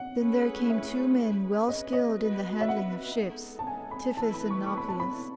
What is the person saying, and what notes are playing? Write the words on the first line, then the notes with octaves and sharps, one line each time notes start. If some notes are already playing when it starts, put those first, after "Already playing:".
Then there came two men well skilled in the handling of ships--Tiphys and Nauplius.
Already playing: F#5
A3 C#4 E4 G#4 B4
E5
C#4 G#4 B4
D#5
D#5
B3 F#4 B4
E5
F#5
G#3 B3 D#4 A4
A5
G#5
B5
E3 A3 E4 B4 A5
B5
C#6
C#6
B5
A5
B5